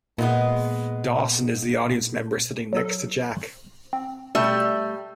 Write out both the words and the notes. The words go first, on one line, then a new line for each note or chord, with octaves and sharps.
Dawson is the audience member sitting next to Jack.
A#2 G#3 B3 D#4
F#3 A4
C4
B2 G3 A3 E5